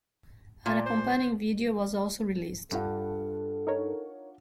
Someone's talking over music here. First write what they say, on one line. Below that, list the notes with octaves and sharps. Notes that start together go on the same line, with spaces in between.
An accompanying video was also released.
A#2 F4
C5
G2 D4 F4 A4 F#5
D#4 A#4 C#5